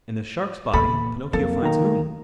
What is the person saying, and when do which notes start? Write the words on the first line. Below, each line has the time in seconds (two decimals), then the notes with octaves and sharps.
In the Shark's body Pinocchio finds whom?
0.73 E2 A#2 A4 B5
1.33 F2 F#3 A#3 A4
1.62 D#3 A#5